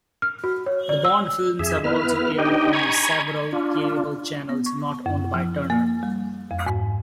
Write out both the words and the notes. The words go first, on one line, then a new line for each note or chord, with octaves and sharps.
The Bond films have also aired on several cable channels not owned by Turner.
F6
F#4
C#5
D5
E6
F2 G#4 E5
B3 E4 B4 F6
D4 D#4 G4 D#5 G5
G#5 A#5 B5 C#6 G#6
D4 F4
B3
C#6
F#2
F3
A#3
G3
F2
G#2